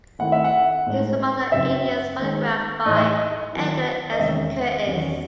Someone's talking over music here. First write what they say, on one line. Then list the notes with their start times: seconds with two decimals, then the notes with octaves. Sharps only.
He was among the Indians photographed by Edward S. Curtis.
0.19 D#3 A3 C4 E4 F#5
0.32 E5
0.44 F#5
0.86 A2 G#3 D#4
1.52 F#2 C#3 F#3 C4 D#4 E5
2.19 D#3 G#3 D#4
2.86 A2 E3 A3 D#4 D#5
2.97 E5
3.06 D#5
3.53 D#3 F#3 C4 E4
4.11 D#5
4.19 E2 C3 D#3 G#3 C#4 E5
4.86 E2 D#3 F#3 C#4